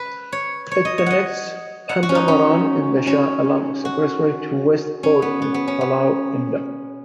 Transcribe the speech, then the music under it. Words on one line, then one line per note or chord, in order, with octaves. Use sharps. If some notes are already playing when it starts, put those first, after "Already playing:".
It connects Pandamaran in the Shah Alam Expressway to West Port in Pulau Indah.
Already playing: B4
C#5
C#5
D#5
C#5
D#5 F#5
F#5
F#4
C#4
D#4
C#4
C#4
F#4
C#4
B3
B3
B3
C#4
B3